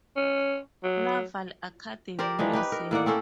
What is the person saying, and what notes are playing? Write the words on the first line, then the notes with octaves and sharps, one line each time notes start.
Naval Academy Museum.
C#4
F#3
G4 A#4 C5 D5
E3 F3 D4 D#4
D#4 G4 B4
A#4
A2 A#3 D5 F#5
C4 C#4 A4 C5